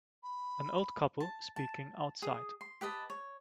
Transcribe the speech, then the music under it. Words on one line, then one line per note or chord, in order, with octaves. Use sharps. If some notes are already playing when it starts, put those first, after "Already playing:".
An old couple speaking outside.
B5
A5
A5
G#4 D#6
C6
G4 B4 D#5 A5
C#5